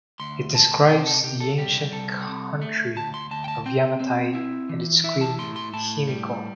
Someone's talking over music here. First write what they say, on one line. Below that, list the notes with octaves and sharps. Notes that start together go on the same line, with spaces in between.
It describes the ancient country of Yamatai and its queen Himiko.
D2 C6
D2 A5
C3 G5
C5
A4
C3 G4
A4
G3 G4
C2 A4
C3
A3
D2 A5
C6
D2 A5
G5
A5
C4 G5
C4
E4
E3
E4 E5
A5
A2 C6
C6
A2 A5
G3